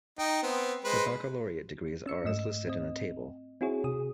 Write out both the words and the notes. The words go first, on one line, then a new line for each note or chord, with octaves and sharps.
The baccalaureate degrees are as listed in the table.
D#4 G5
B3 C4
G#3 B4 C5
C#4 E6 C#7
G#2 A3 D#5 E7
C4 D#5
C4 E4 F#4 G#4 C#5
C3 G#4 D#6